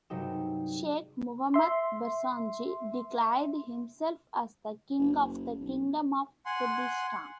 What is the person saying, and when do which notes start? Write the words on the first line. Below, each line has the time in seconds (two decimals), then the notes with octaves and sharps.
Sheikh Mahmud Barzanji declared himself as the King of the Kingdom of Kurdistan.
0.10 G2 C3 F#3 G#3 D#4 E7
1.54 E5 C6
4.98 F#1
5.60 B1
6.46 F#5 G#5 C6